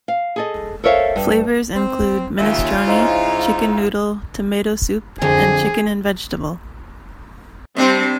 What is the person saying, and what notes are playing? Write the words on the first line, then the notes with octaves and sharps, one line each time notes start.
Flavours include minestrone, chicken noodle, tomato soup and chicken and vegetable.
F5
G#4 A4 D#5
A4 A#4 C5 C#5 E5 F5
G2
C4
D#2 C#3 F4 E5
G#2 D#4 E4 C5 D#5 F5 A#5
F2 D3 G#4
C3 G3 C4 D4